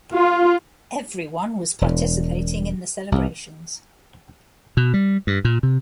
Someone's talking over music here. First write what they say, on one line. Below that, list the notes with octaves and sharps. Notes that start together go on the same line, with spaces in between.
Everyone was participating in the celebrations.
F4
E1
C2
B2
G3
G2
A#2
C3